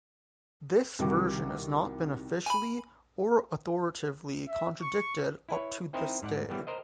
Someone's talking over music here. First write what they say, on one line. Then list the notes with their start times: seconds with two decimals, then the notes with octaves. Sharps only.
This version has not been officially or authoritatively contradicted up to this day.
0.99 C2 D#3 G3 F#4 D6
2.46 G#5 B5
4.48 E5
4.81 C#6
5.49 E4 B4 C#5
5.93 C4 D#4 E4 A#4 C5 D#5
6.22 G#2 D5 F#5
6.50 E3 G3 B3
6.67 A#4 C5 D#5